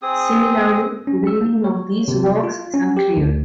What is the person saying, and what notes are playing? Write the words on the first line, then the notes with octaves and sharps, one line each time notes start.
Similarly, the dating of these works is unclear.
C4 G#4 D#6
C#4
E6
A#3
C#5
C3
D5
F4
C#4
G4
D2